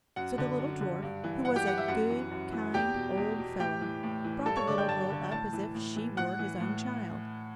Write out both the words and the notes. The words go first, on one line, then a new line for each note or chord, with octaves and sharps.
So the little dwarf, who was a good, kind old fellow, brought the little girl up as if she were his own child.
F#2 F#5
D3
F#2
D3
G2
E3
G2 F#5
G4 G5
E3 F#5
E5
F#2 F#5
E3
F#2
E3
E2 G4 G5
B2
E2
B2
A2 G4 G5
E3
A2
E3
G2 A4 A5
C#5 C#6
D3 D5 D6
G5 G6
G2 A5 A6
D3
A2 A5 A6
E3
A2
E3
A2 F#5 F#6
E3
A2